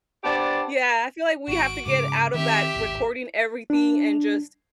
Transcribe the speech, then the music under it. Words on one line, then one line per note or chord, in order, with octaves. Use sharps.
Yeah, I feel like we have to get out of that recording everything and just
B3 D4 G4 C5 D5 A5
G#1 F#4 D7
G#2 C#3 D6
D#3 C4 G4 E5
D1 G#1
D4